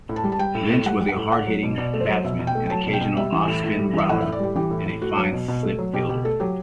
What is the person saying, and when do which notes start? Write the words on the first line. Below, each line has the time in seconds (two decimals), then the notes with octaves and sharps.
Lynch was a hard-hitting batsman, an occasional off-spin bowler and a fine slip fielder.
0.09 A2
0.16 A5
0.24 G3
0.32 A5
0.39 G3 G5
0.55 A2
0.70 A2
0.85 G3 F#5
1.01 G3
1.09 F#5
1.16 A2
1.31 A3 F#5
1.47 F#3
1.63 B2
1.78 B2 D5
1.93 A3
2.01 C5
2.09 F#3
2.24 B2 E5
2.39 B2
2.47 G5
2.55 A3
2.66 G5
2.70 F#3 A5
2.86 B2
2.93 G5
3.01 B2
3.17 G3 E5
3.32 E3
3.48 A2
3.64 A2
3.79 G3
3.93 E3 E5
4.09 A2 F#5
4.21 A2 E5
4.32 D5
4.39 G3 G4
4.55 E3 G4
4.71 A2
4.86 A2
5.02 A3 F#4
5.17 F#3
5.33 B2
5.48 B2
5.63 A3
5.79 F#3
5.94 B2 G4
6.09 B2 G4
6.24 A3 A4
6.40 F#3 G4